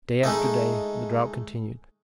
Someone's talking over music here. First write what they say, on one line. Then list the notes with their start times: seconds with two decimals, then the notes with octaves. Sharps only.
Day after day the drought continued.
0.23 G#3 A3 D#4